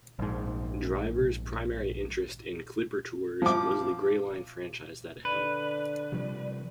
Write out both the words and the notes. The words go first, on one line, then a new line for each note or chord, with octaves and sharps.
Driver's primary interest in Clipper Tours was the Gray Line franchise that it held.
A#1 G#2
F3 D6
D3 B4 D5
C3 F3 G3